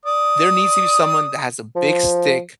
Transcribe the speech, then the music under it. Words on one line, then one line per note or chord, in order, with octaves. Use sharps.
There needs to be someone that has a big stick
D5 D#6
F3